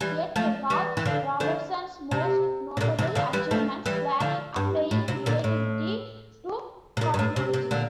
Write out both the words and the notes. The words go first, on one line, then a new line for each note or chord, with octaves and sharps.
Yet perhaps Robertson's most notable achievements were in applying relativity to cosmology.
E3 G3
F3 A3
E3 G3
E3
D3 F3
D3 F3
C3
C3
A#2 D3
C3 E3
D3 F3
E3 G3
F3 A3
E3 G3
D3 F3
G2
A2
C3
A#2 D3
A2
C3
A#2
G2
A2
C3
C3
A#2 D3